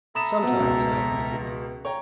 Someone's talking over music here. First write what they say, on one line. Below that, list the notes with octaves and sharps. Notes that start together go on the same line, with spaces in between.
"Sometimes," I admitted.
A4 E5 A#5 B5 D#6 E7
B3 C4 F#4
C#2 B2
C#5 G5 A#5